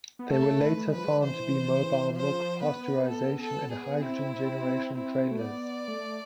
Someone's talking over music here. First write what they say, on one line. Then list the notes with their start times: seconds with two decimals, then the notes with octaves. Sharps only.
They were later found to be mobile milk pasteurization and hydrogen generation trailers.
0.19 B3
0.30 A3 A4
0.61 B4
0.77 A3
0.86 G#3
0.92 F3 B4
1.05 G#3
1.23 E3 C5
1.70 E3
2.16 F3 C5
2.63 B3 B4
3.09 A4
3.40 A4
3.71 G#4
4.02 C4 E4
4.95 C4 E4
5.31 A3
5.41 B3 D5
5.88 A3